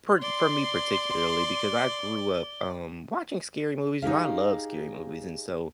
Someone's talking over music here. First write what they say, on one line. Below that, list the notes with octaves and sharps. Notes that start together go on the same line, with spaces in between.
per for me particularly, because I grew up, um, watching scary movies, you know, I love scary movies, and so,
D5 C6 G7
D#4 G4 G#4 F5